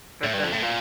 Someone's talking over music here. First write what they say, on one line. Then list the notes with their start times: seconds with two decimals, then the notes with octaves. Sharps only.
But, then
0.24 A2
0.33 G2
0.44 F2
0.53 A2
0.62 A#2